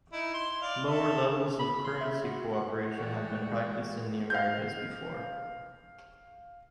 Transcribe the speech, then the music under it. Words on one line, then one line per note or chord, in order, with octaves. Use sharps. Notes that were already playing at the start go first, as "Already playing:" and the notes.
Lower levels of currency cooperation have been practiced in the Americas before.
D#4 E4
C6
D5 F5
A4 E5
B5
C6
E5
F#4
F#5
E3 G#3 F#4 D5 F#5 G5
F5 G6